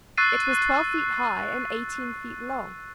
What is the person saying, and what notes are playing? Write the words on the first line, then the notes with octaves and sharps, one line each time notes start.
It was twelve feet high and eighteen feet long.
C#6 E6 F#6 A6 C7 D#7